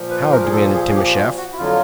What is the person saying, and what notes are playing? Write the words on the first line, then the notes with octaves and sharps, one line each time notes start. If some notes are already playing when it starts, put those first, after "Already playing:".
"How?" demanded Timascheff.
Already playing: A#2 F3
B4
A#4
G#4
A4
G#4
G#4
G4
F#4
F#4
E4
F2 D3 F#3 F4